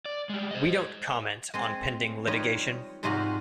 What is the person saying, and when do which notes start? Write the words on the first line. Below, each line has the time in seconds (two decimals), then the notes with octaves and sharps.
We don’t comment on pending litigation.
0.06 D5
0.29 G3 G#3
0.51 C5 D#5
1.54 G#3 C4
2.27 G3 D#4 F4 B4 C#5 D#5
3.03 G#2 C3 G3 D#4 F4 F#4